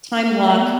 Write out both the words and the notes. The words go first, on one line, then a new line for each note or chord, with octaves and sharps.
time block,
A3
B3